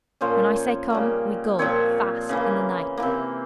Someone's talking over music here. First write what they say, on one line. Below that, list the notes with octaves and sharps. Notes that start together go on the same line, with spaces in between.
When I say come, we go--fast--in the night.
A#2 F3 A#3 C#4 C5
C#5
C#3 G3 A#3
A#2 F3 C4 C#5
C#3 E3 A#3
C3 E3 A#3